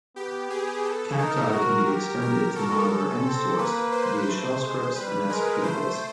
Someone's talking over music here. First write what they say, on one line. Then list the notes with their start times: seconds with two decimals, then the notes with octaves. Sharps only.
Cacti can be extended to monitor any source via shell scripts and executables.
0.16 B3 G4
0.50 B3 G#4
0.85 A4
1.19 D#4 A#4
1.53 F#4 A#4
1.87 G4
2.22 A#4
2.56 F#4 A4
2.90 C#4
3.24 C4
3.58 A#3 B4
3.92 C5
4.27 A3
4.61 G#3
4.95 G3 B4
5.29 G#3 A#4
5.63 A3 C5